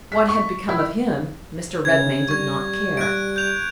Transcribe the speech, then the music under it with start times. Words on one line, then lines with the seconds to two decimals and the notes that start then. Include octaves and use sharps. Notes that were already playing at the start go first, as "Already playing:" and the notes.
What had become of him Mr. Redmain did not care.
0.12 B6
0.28 C#6
0.69 E4
1.85 C#3 G#6
2.29 G3 C#6 G#6
2.97 F#6 G#6 D7
3.36 G6 F7